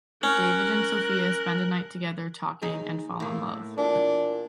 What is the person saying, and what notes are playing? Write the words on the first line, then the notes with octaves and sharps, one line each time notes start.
David and Sofia spend a night together talking and fall in love.
C#4 A#4 F#6
D#2 G#3 D#4
A2 A#3
E2 A#2 D4